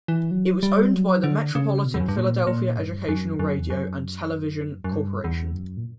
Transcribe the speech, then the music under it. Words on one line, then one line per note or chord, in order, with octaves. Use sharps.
It was owned by the Metropolitan Philadelphia Educational Radio and Television Corporation.
E3
F#3
G3
F#3
D3
C#3
B2
E2
F#2
G2
A#2
A#2
G2
F#2
F#2
E2
F#2
F#2
G2
E2
F#2
A#2